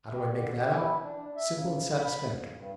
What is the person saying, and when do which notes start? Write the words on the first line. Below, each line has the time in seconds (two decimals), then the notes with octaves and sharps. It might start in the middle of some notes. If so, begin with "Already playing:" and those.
How do I make that out? Simple and satisfactory.
0.16 G4
0.34 D3
0.57 G4
0.76 E4
1.04 D4
1.36 E5
1.52 C#3
1.95 B5
2.40 F2
2.56 G2